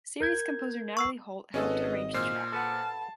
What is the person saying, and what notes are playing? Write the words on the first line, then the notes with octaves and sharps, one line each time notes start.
Series composer Natalie Holt helped arrange the track.
A#4 G6 G#6
C#6 E6 C7
G#1 C#4 G#4 A4 B4 D#5
A#2 C5 F6 C7
A4 B4 F#5 A5